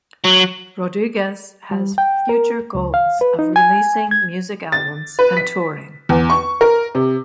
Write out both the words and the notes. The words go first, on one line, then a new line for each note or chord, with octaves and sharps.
Rodriguez has future goals of releasing music albums and touring.
F#3
G3
G5
A#4
C#2
F5
B4
D#4
G#5
G#6
A6
B4
B6
E2
C#6
A#4
C3